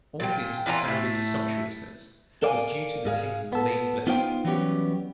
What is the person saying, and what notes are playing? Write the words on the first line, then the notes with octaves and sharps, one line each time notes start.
All this "crowded sumptuousness" was due to the taste of Lady Blessington.
A#2 G5
E3 F4 E5 A#5
A2 A3
A4 A#4 D5 F5 F#5 G#5
G#2 G#4 F5
B3 A4
B3 D#4 F4 C5 C#5 G5
E3 F#3 G3 B3 C#4 G4